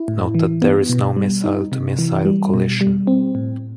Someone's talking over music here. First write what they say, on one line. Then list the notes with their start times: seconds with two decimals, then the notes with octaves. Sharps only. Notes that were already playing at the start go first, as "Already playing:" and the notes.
Note that there is no Missile to Missile collision.
Already playing: E4
0.08 A2
0.35 E3
0.62 B3
0.89 B2
1.16 G3
1.44 D#4
1.72 C3
1.99 E3
2.25 G3
2.54 B2
2.81 G3
3.07 C4
3.35 A2